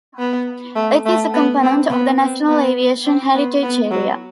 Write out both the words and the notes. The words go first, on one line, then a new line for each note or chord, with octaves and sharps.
It is a component of the National Aviation Heritage Area.
B3
A3
A3
B3
C4
B3
C4
B3
C4
B3
B3
F#3